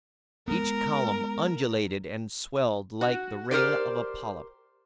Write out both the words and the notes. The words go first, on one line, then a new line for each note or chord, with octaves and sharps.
Each column undulated and swelled like the ring of a polyp.
G#3 B3 A#4
F#4
G4 A#4 C5 D5